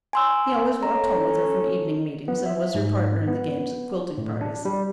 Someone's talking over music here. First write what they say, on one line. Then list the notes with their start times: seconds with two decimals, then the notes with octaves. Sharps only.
He always walked home with her from evening meetings and was her partner in the games at quilting parties.
0.13 G#5 C6 E6
0.83 C#4 A4 C#5 A#5
2.28 B3
2.46 E5
2.75 G#2
3.28 B3
4.18 A2
4.41 D4
4.65 G3